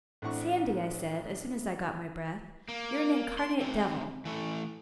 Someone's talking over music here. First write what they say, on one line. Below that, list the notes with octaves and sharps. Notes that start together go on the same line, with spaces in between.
'Sandy,' I said, as soon as I got my breath, 'you're an incarnate devil.
A1 A2 C4 D4 F#5 C#6
A#3
C6
C4 D#4
E3 A3